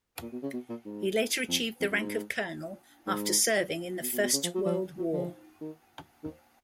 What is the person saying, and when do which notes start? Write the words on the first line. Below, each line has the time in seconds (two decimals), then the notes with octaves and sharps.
He later achieved the rank of colonel after serving in the First World War.
0.22 A#2
0.32 B2
0.43 C#3
0.53 B2
0.70 A#2
0.85 G#2
1.48 F2
1.80 F2
1.91 F#2
2.01 G#2
3.07 G#2
4.02 B2
4.13 B2
4.23 B2
4.33 C#3
4.44 F3
4.55 F#3
4.66 F3
4.98 F#3
5.13 F3
5.61 D#3
6.24 D#3